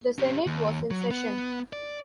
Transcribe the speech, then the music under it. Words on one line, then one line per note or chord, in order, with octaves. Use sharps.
The Senate was in session.
C#4 G4
D#2
F#3
B3
D5